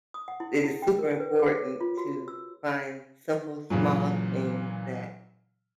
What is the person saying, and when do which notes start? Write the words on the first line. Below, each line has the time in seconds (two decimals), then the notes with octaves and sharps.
it is super important to find simple, small things that
0.14 D#6
0.28 F#5
0.40 E4
0.64 E4
0.82 G5
0.99 A#4
1.20 B4
1.39 G#4
1.57 C#5
1.81 F4
1.97 F#4
2.28 E6
3.70 A#2 C#3 E3 F#3